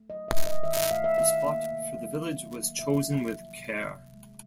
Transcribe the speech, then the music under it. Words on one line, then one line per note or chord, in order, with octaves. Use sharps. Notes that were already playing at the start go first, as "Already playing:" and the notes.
The spot for the village was chosen with care.
Already playing: A3
F#3 D#5
E5
D#3
D#5
D#3 E5
E5
A3 F5
E5
D#3 E5
A#3
C3
F#3
D#3
A#3
C3 E5
F#3
F3
C3
C3
G#3